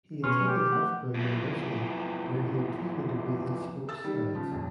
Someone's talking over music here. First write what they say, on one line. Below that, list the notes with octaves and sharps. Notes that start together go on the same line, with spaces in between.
He attended Loughborough University, where he obtained a degree in Sports Science.
B2 C#4 B4 A#5 C6 F6
G4
A3 F#5
F2 E3
A4 E6 A6
D#3 G3
C#3 F3
D#1 F2